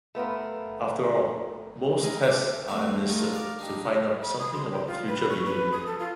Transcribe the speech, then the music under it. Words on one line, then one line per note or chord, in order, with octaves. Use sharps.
After all, most tests are administered to find out something about future behavior.
A3 B3 F4 A#4
C3 G#3 D#4 E4 G#4 A#4
A4 D6
E2 A3 C4 F#4 E5
A3 D#4 F4 A4
A#4 D5 F5
D4 D#4 G4
B5
D#6
C6
G5
F4
B4
C#6
B4
D#6
A4
F4